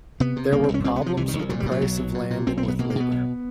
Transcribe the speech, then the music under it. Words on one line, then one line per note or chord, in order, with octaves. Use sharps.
There were problems with the price of land and with labour.
C3 B3
C3
C2 A#3
C4
C2
C#4
C3 C4
B3
C3
F3
C2 E3
D#3
C2
F3
A#2 F#3
G3
A#2
F#3
B1
B1
A#2
A#2
B1 C4
C4
B1
B3
B2 A#3
A#3
B2 B3
B1